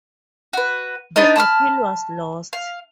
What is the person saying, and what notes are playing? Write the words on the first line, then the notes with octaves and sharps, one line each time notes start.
The appeal was lost.
F#4 B4
B3 D4 D#4 D#5
A5 B5 D#6 F6
F5